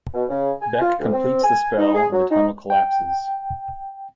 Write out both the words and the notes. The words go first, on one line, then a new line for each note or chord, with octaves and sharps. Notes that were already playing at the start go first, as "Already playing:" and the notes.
Bec completes the spell, and the tunnel collapses.
B2
C#3
G#5
F4
D2
C4
G#5
D#4
G#4
F#3
D#4
G5